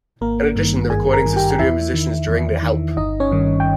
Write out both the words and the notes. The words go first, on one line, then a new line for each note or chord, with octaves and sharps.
In addition, the recordings of studio musicians during the Help!
G#1 A#3 A#4
G2 D#3
G#1 G#4 G#5
A#4 A#5
G2 D#3
G4 G5
G5
E2 E4 E5
D#3
E2
D#3
G1 D#4 D#5
C#4 C#5
G2 D#3
G5